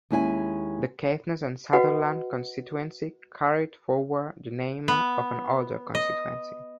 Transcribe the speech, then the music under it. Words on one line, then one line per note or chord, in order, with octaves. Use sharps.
The Caithness and Sutherland constituency carried forward the name of an older constituency.
D#2 G#3 C#4 E4 F#5 G#5
F#4 B4 D#5 F#5
B3
D#5